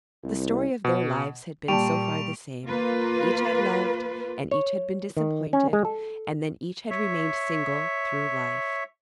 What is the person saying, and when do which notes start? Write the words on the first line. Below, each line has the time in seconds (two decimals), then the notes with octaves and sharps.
The story of their lives had been so far the same; each had loved, and each had been disappointed, and then each had remained single through life.
0.24 C2
0.85 B2
1.68 A#2 G3 G5 A5 C#6 D7 F7
2.65 A#3 F4 B4
4.51 C#5
5.17 D#3
5.53 C#4
5.73 G#3
5.85 A4
6.90 C#5 E5